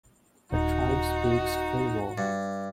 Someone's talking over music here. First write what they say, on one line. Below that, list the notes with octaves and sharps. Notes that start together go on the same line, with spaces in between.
The tribe speaks Faiwol.
D#1 D#4 F#4
G2